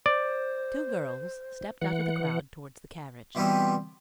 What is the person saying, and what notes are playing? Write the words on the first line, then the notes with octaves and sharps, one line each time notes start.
Two girls stepped out of the crowd towards the carriage.
C5 D5
E3 F#5
B2 E3 G3 B3 C4